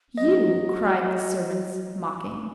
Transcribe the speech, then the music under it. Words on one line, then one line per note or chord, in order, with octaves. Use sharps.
"You!" cried the servants mocking.
F#3 D#5